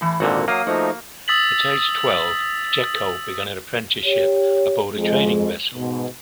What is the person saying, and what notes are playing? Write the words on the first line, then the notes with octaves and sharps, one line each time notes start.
At age twelve, Pacheco began an apprenticeship aboard a trading vessel.
A2 E3
G#1 A#2 D3 F#4
F#3 A#3 F5 D#6
F3 A3 D#4 F#4
D#6 E6 A6 B6 F#7
G4 C#5
F2 G#3
G#2 B2